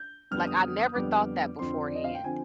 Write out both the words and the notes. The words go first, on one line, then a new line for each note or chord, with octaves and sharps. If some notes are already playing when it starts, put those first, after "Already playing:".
Like, I never thought that beforehand.
Already playing: G6
F2 D3 G3 B3 F6
D#6
D#6
D#6
F2 D3 G3 B3 D6
F2 D3 F3 C4 C6
D5
D#5
F5
G5
D3 F3 C4 G#5